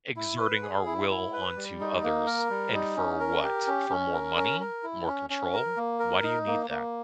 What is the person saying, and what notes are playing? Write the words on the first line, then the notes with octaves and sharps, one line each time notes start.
Exerting our will onto others, and for what? For more money? More control? Why do you need that?
E4
B4
G#4
E4
E4
B4
G3
D#4
A#3
A#4
G3
D#4
C#4
A#4
G4
C#4
C#4
A#4
C#4
A#4
E4
C#4
C#4
A#4
A#3
A#4
D#4
A#3
A#3